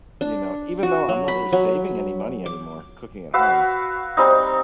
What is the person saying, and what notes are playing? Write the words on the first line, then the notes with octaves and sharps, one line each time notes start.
you know, even though I'm not really saving any money anymore cooking at home,
D4
F#4
F#3
B5
F#3
D6
F#4 B4 F5 E6
G3 C4 D#4